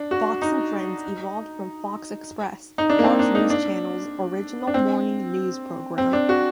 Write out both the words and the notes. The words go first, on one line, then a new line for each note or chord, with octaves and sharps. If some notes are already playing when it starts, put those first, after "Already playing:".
"Fox and Friends" evolved from "Fox X-press", Fox News Channel's original morning news program.
Already playing: D4
F#4
D#4
D#4
D4
A#3
C4
D4
D#4
D4
D4
C4
C4
D4
F#4